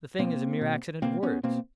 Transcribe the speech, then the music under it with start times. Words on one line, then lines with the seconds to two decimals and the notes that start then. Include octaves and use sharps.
The thing is a mere accident of words.
0.19 B2 A#3 C4
0.61 B2
1.02 B2 A#3 C4
1.23 B3 C#4
1.43 B2 A#3 C4